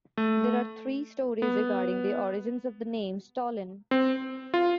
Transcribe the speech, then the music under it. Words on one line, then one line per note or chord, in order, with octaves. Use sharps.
There are three stories regarding the origins of the name "Stolin".
A3
B3
C4
F4